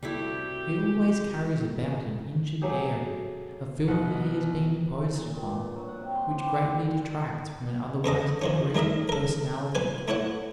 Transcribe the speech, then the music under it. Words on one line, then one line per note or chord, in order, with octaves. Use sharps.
He always carries about an injured air, a feeling that he has been imposed upon, which greatly detracts from an otherwise agreeable personality.
C2 G3 A3 E4 F#4 G4
F#3 A3 G4 G#4
C2 B2 F#5
A#2
G2
F#3
F#5
C3
C6
G4
B4
C4
E2 C#4 A4 D#5
D#3 F3 C#4
G3 A3 A#4 D#5 E5
A4 A#4
B1 B4 G#5
A3 E4 C#5 F#5